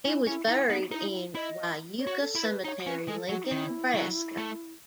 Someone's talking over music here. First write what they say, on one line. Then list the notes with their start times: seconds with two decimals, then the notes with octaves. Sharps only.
He was buried in Wyuka Cemetery, Lincoln, Nebraska.
0.05 C#4 E4
0.27 C#4 E4
0.48 D#4 E4
0.69 B3 D#4
0.91 D#4 E4
1.35 E4 D#5
2.00 C#5
2.07 F#4
2.22 A4
2.35 E4
2.43 B4
2.65 D#4 C#5
2.87 C#4 B4
3.08 G#3 A4
3.29 F#3 F#4
3.44 D#4
3.51 D#3 E4
3.94 F#3
4.38 A3